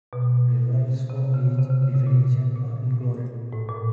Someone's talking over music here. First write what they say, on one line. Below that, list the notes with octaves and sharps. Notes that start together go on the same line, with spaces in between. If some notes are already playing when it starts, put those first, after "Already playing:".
References for each definition are included.
B2
C3
C#3
C3
C#3
C#3
C3
A#2
A#2
A2
A#2